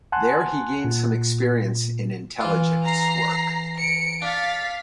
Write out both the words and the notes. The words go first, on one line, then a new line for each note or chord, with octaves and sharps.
There he gained some experience in intelligence work.
F#5 G#5 A5 C6 F#6
A#2
E3 F4
A#5 C7
C#7 D7
D4 F5 A6 B6